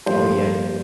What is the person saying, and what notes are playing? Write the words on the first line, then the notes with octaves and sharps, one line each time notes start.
Oh yeah, true,
G2 F3 A#3 G4 C5